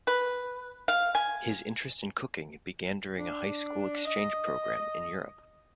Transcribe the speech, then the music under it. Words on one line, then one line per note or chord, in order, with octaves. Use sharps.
His interest in cooking began during a high school exchange program in Europe.
B4
F5
G#5
D4
D#5